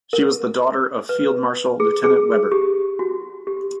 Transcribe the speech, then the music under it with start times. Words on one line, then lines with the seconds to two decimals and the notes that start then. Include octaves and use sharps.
She was the daughter of Field Marshal Lieutenant Weber.
0.13 A#4
1.09 B4
1.80 G#4
2.04 G#4
2.52 G4
2.99 F#4
3.47 G4